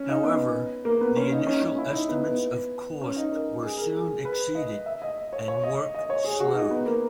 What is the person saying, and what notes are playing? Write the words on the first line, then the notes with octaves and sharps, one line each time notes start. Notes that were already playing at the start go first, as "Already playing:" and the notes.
However, the initial estimates of cost were soon exceeded, and work slowed.
Already playing: C#4
D#4
B3
A#3
B3
C#4
D#4
C#4
C#4
E4
D#4
B3
B3
C#4
D#4
A#4
G#4
A#4
G#4
B4
D#5
E5
D#5
C#5
C#5
D#5
D#5
C#5
G#4
F#4
D#4
B3
A#3